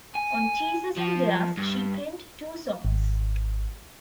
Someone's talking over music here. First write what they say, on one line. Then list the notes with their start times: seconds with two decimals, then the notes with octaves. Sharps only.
On "Teases and Dares" she penned two songs.
0.15 G#5
0.98 F3
1.58 G2
2.85 G#1